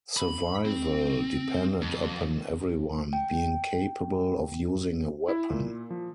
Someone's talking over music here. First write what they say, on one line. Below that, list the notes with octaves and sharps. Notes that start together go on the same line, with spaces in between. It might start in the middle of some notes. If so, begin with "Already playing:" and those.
Survival depended upon everyone being capable of using a weapon.
B5
C4
F2
G5
E4
A#2
F3